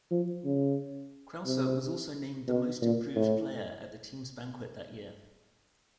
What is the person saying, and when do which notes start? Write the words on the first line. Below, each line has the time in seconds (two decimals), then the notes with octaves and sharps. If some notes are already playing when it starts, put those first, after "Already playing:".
Krauser was also named the Most Improved Player at the team's banquet that year.
0.11 F3
0.45 C#3
1.46 C3
2.48 B2
2.82 A#2
3.16 A2